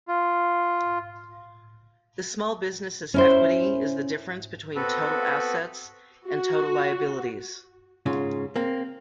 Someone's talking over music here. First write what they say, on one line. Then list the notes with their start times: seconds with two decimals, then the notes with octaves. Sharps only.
The small business's equity is the difference between total assets and total liabilities.
0.08 F4
3.14 C#4 E4 C5
4.75 B3 C4 F#4 A4 B4
6.28 F#4
8.06 G#2 C#3 F4
8.56 A#3 C4